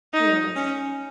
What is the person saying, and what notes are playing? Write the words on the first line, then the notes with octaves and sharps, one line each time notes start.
You know, it's
D#4
C#4